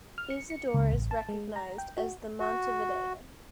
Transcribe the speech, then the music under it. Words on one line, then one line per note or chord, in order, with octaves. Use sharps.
Isidore is recognized as the "Montevidean".
F6
C#7
C#7
C#2
A1
A5
G#3
A#5
G5
F#4
F#4